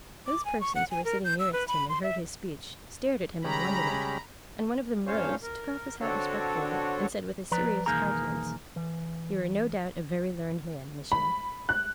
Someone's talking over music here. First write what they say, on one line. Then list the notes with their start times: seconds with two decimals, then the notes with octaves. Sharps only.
Those persons who were sitting nearest him and heard his speech, stared at him in wonderment; and one of them rose, took off his hat respectfully, and said with a serious countenance, "You are no doubt a very learned man, Monsieur."
0.27 D6
0.45 G#5
0.61 C#6
0.75 F#5
0.91 G#5
1.05 A#4
1.25 G6
1.40 E6
1.53 B4
1.68 B5
1.89 C6
2.03 E5
3.45 C#3 G3 G#3 A#5 B5
5.07 G2 A#2 C#4 C5 C#5 F5
5.43 A#4
6.01 D3 C4 D4 F#4 A4 C#5
7.51 F3 B4 D5 A#5
7.86 B1 E2 D#3 A#3 G#4 A#5
8.76 E3
11.12 B5
11.69 F#6